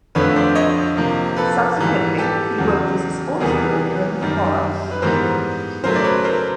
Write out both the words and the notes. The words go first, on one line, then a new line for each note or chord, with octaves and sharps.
Subsequently he worked as a sports director in Florence.
F2 D3 F3 A3 B4 C#5
C5 D5
C#5 D#5
C3 F3 A#3
A4 B4
G#2 E3 G3
G4 A4
E2 C#3 F#3
E2 C3 E3 G3 B3 G#4 A#4
F#2 D#3 G3
B4
G#2 E3 G3 B3 A#4 C5
C#3 F#3 A3 A#4 C5
D5
B4 C#5
A#4 C5